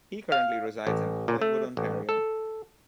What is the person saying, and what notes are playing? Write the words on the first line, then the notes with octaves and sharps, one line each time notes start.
He currently resides in Collingwood, Ontario.
F5
A1
A#2
A3
A1
A4